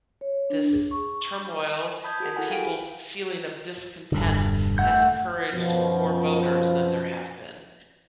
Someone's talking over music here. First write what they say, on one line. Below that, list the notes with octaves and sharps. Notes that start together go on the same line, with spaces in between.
this turmoil and people's feeling of discontent has encouraged more voters than there have been,
C#5
D4
G#4
C#6
A5 B5 D#6 G6 G#6
F#4 G#4 A#4
E4 A4 F#5 G#5 B5
G4 F5 G5 D7
E1 G2 D3
A3 F#5 G6
F#2 B2 F3